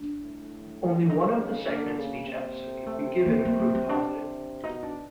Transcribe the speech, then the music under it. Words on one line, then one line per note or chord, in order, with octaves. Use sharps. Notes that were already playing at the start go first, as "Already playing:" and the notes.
Only one of the segments in each episode would be given a proof positive.
Already playing: D4
A2
C3 D#4
C#3
D3 A#3
C#3
C3
A3
A#3
A#3
A#3
C4
D4
C3
B2 D#4
D4